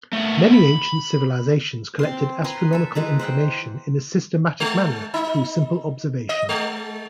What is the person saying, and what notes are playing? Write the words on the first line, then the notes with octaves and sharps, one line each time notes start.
Many ancient civilizations collected astronomical information in a systematic manner through simple observation.
A3 B3
B5
C4 A5 C6
B4 G#5 A#5 C6
A4 E5
E3 G#3 B4 A#5
C5 F#5 G5
G#3
D#4
D#5
G#3